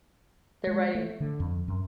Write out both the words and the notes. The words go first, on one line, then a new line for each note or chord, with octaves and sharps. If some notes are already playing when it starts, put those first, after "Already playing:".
Their writing.
G#3
A3
D3
F2
F#2